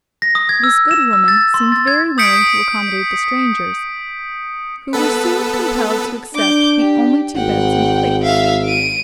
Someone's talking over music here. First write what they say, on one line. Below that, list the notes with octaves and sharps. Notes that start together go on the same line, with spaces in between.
This good woman seemed very willing to accommodate the strangers, who were soon compelled to accept the only two beds in the place.
A#6
D#6
G#6
E6
E7
E6
A6
C6
A6
G#6
D#6 G6 B6 C#7 D7
B3 A4 B4
D4 D6 G6
G4
G#1 F#5 G5
E5 F5
D7 D#7